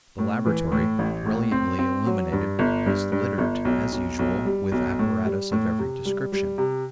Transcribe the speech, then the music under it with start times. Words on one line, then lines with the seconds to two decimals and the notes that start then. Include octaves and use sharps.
The laboratory, brilliantly illuminated, was littered, as usual, with apparatus of every description.
0.19 A2
0.46 E3
0.72 A2
0.99 A1
1.26 A2
1.52 C4
1.79 C4
2.06 F#3
2.32 G2
2.59 G1
2.86 G2
3.12 G2
3.38 G1
3.65 B1
3.92 B1
4.19 B1
4.45 G3
4.72 B1
4.99 A2
5.25 G3
5.52 A2
5.79 C3
6.05 G3
6.32 G3
6.58 C3